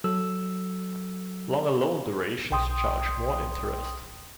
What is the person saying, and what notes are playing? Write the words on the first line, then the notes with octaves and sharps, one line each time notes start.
Longer loan durations charge more interest.
F#3 A4 E6
B1 G5 C6 D#6